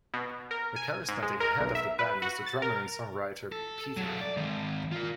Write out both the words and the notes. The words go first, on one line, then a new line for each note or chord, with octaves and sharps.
The charismatic head of the band was the drummer and songwriter Peter.
B2
A#4
G#5
G#2
G#3
A#4
B1
E5
B4
F#4
A6
A#4
A4
F#3 A4
D5
D#3 G#3
F4 A#4